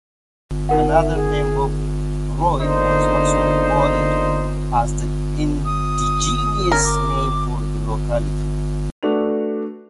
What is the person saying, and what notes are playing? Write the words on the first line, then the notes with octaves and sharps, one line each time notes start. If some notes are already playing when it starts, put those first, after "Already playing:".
Another name, "Bobroi", was also recalled as the indigenous name for the locality.
D#4 A#4 F#5
E5
G#4
D3 A#3 D4 D#4 C5
D#6
C#4 A#4
D6
A3 D4 F#4 B4 F7